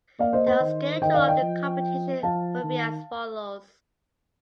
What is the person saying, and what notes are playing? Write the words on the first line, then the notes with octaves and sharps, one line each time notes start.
The schedule of the competition will be as follows.
A#3 D5 F5
C5 D#5
C5 D#5
D#3
D#3 D#5 G5
D5 F5
D#5 G5
F3
F3 F5 A5
D#3